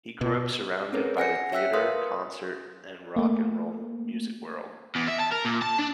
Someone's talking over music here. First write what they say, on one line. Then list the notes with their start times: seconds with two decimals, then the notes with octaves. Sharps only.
He grew up surrounded by the theatre, concert, and rock and roll music world.
0.21 B2
0.93 C4 C#4 G#4 A#4 B4 C#5
1.17 F#5 G#5 A#6 C#7
1.52 C#5 E5 G5 E6 F#6 B6
1.73 A#4 B4 F5 C6 D#6
3.16 A3 A#3
4.95 E2
5.08 E5
5.20 A5
5.31 A#4
5.45 A#2
5.62 A5
5.78 D4